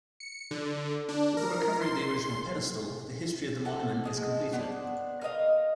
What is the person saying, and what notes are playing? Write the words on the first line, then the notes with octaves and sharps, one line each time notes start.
With the recovery of the original pedestal the history of the Monument is completed.
C#7
D3
D4
A#4
C6
A4 F#5
F3 G#3 F#4
B3 D4 C5
A#4 B4 D#5 F5